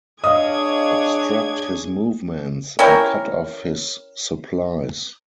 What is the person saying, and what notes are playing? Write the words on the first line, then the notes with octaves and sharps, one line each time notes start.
Obstruct his movements and cut off his supplies.
D4 G#4 C#5 D#5 F5 D#6 G#6
C#4 E4 G4 A#4